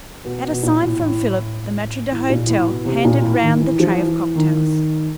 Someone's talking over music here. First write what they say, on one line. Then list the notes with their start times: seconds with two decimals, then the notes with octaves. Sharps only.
At a sign from Philip, the maitre d'hotel handed round the tray of cocktails.
0.25 B2
0.51 B2
0.63 A#2
0.81 A2
0.99 A2
2.11 A2
2.30 A#2
2.48 A2
2.67 B2
2.86 C3
3.05 A#2
3.23 A2
3.42 D#3
3.61 E3
3.80 F3
3.98 E3
4.35 D#3